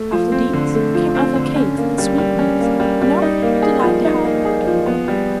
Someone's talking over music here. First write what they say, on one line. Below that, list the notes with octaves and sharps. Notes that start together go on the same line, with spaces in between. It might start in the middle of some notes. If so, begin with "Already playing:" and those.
After these came other cakes and sweetmeats, enough to delight the heart of every one.
Already playing: A3
F3
C4
D3
A3
F3
C4
D3
C#4
A#3
G3
G3
C#4
A#3
G3
G3
D#4
A#3
G#4
F3
D#4
A#3
G#4
F3
B3
G3